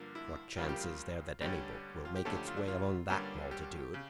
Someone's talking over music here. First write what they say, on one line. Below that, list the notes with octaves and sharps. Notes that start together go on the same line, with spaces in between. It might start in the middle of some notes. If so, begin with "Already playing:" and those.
What chance is there that any book will make its way among that multitude?
Already playing: G2 D3 F3 A#3
E4
F2 C#3 G3 A#3 F4
G4
F4
G2 D3 G3 C#4 G4
F4
G4
F2 D3 A3 C#4 A4
G4
F4
D4
F4
G2 D3 G3 A#3 C#4
G4
C#3